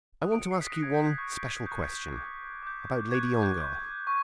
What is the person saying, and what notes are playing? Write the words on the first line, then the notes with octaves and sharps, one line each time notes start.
"I want to ask you one special question--about Lady Ongar."
D#6 F#6
D7
C#7
C7
B6
D#6 F#6 A#6
G#6
G6
G6
C#6 F#6 G6
C#6 F#6 G6
D6 G6
D6 G6
C#6 F#6 G#6
G#6
G6
C#6 F#6
C#6